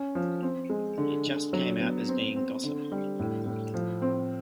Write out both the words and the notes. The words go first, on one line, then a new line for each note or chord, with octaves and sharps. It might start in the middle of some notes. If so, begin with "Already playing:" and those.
It just came out as being gossip.
Already playing: C#4
F3
C4
G#3
D3
D3
F#3
B3
C4
C4
D3
G3
A2
A2
F3
C4